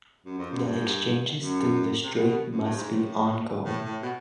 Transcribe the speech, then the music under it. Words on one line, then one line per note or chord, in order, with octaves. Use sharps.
The exchanges through the Strait must be ongoing.
F#2
F2
F#2
G2
F#2
C3
B2
B2
F#2
G2
G#2
A2
A2
A2
B2